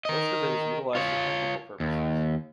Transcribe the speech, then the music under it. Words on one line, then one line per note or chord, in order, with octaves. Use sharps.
Most of it is utilized for technical purposes.
A#4 D#5
F4 C#5
D#2